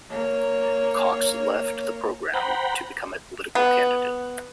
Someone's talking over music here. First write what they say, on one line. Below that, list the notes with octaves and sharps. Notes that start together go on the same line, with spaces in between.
Cox left the programme to become a political candidate.
A#3 C#5
C5 F#5 G5 A#5 B5
B3